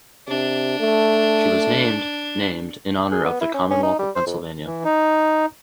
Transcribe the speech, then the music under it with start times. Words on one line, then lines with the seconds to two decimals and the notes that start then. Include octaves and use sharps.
She was named named in honour of the Commonwealth of Pennsylvania.
0.28 C3 D4
0.80 A3
3.11 G#4
3.24 B3
3.41 E4
3.54 C#4
3.70 C#4
3.83 D#4
3.99 G3
4.15 C5
4.26 F2
4.65 E3
4.84 D#4